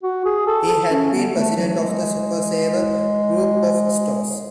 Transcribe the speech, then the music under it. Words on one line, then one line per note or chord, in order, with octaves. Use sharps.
He had been President of the Super Saver group of stores.
F#4
G#4
A4
A4
C#4
B3
A3
F#3
G#3